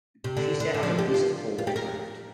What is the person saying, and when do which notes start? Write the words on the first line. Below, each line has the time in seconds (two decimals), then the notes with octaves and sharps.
She sat on a piece of coal and laughed.
0.24 C3
0.37 D3
0.60 D3
0.74 D3
0.83 F3
0.99 G4
1.14 F4
1.58 F4
1.67 G4
1.76 A#4